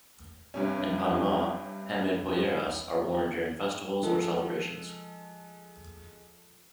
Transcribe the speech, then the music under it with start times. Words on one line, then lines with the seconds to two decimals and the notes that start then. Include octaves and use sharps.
In Panama, handmade polleras are worn during festivals or celebrations.
0.54 G2 C3 C#4
4.03 F3 G#3 A4